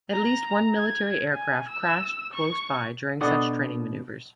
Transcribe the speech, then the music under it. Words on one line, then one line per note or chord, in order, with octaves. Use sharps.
At least one military aircraft crashed close by during such training maneuvers.
A#5
G#6
G#5
E6
C#6
B2 D4 D#4 A4 D#5 F#5